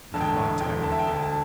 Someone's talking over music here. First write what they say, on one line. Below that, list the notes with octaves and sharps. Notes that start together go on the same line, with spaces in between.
It is by terror.
E1 E2 D3 A5
G5
A5
E1 E2 D3 G5
A5
E5
G5
E1 D2 D3 A5
A5